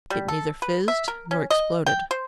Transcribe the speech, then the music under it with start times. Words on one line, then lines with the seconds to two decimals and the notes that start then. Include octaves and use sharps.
It neither fizzed nor exploded.
0.10 G3
0.28 A4
0.62 B4
0.88 E5
1.08 A#4
1.31 C#4
1.50 D#5
1.86 G5
2.11 C5